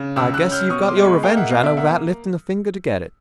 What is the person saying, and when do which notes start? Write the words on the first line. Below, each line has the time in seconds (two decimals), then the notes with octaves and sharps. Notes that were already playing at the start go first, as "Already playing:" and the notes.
I guess you've got your revenge, Anna, without lifting a finger to get it.
Already playing: C#3
0.16 C#2 D6 E6
0.34 E6 F#6
0.43 C#4
0.52 F6 G6
0.69 B2 C#6 D#6
0.87 C6 D6
0.97 G#3
1.05 B5 C#6
1.23 A#3 F5 G5
1.37 E5 F#5
1.50 B2 D#5 F5
1.63 D5 E5
1.77 A#3 E5 F#5